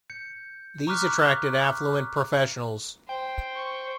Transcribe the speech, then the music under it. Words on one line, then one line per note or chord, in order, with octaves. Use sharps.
These attracted affluent professionals.
G6 C#7
A#5 C#6 D6 F6 F#6 B6
C5 G5
C#6